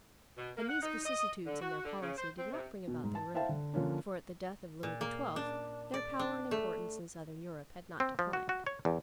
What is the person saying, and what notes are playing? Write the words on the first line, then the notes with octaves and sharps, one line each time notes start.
And these vicissitudes in their policy did not bring about their ruin, for at the death of Louis XII. their power and importance in Southern Europe had not declined.
B2
A#3
F#5
D#4
D#5
D3
F#4
D3
C#3
C5
C4
C3
B2
G#2
A5
E4 C5 E5 F5 G5 A5
D3
D3 F3 A#3 C#4 D4
A#2
A#3
D4
D5
D4
A3
C4
F3
F#4
F#4
C#5
E2